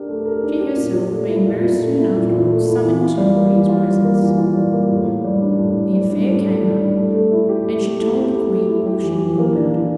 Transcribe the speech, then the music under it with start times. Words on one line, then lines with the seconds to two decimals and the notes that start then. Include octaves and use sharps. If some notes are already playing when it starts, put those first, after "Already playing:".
She herself being very soon afterwards summoned to the Queen's presence, the affair came up, and she told the Queen all she knew about it.
Already playing: D4 G4 A#4
0.08 A3
0.25 A#4
0.43 D4
0.59 G4
0.76 A#2
0.94 A#2
1.12 A3
1.28 E4
1.46 A#2
1.63 A#2
1.81 A3
1.98 E4
2.15 A#2
2.32 A#2
2.49 A3
2.66 E4
2.84 E3
3.01 F4
3.18 G3
3.36 A#3
3.53 E3
3.69 F4
3.87 G3
4.04 A#3
4.22 E3
4.38 F4
4.55 G3
4.73 A#3
4.91 A2
5.08 A4
5.25 G3
5.42 D4
5.59 A2
5.77 A4
5.93 G3
6.11 D4
6.27 A2
6.46 A4
6.63 G3
6.80 D4
6.97 A3
7.13 A3
7.31 E4
7.49 G4
7.65 A3
7.83 A3
8.00 E4
8.17 G4
8.35 A3
8.52 A3
8.69 E4
8.86 G4
9.03 E3
9.21 E3
9.38 A#3
9.55 D4
9.73 E3